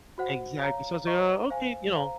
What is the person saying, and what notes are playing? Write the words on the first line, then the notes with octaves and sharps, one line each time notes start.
Exactly. So I was like, "Oh, okay," you know,
F#4 C5 F#5
C#5 F5 A#5
C5 D#5 A#5 C#6
C5 F5 G#5
C5 F5 A#5